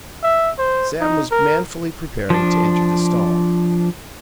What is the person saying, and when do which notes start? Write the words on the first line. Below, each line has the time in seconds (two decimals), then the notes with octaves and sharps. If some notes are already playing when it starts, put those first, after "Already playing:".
Sam was manfully preparing to enter the stall.
0.23 E5
0.59 C5
1.01 D#4
1.31 A#4
2.30 F3 D4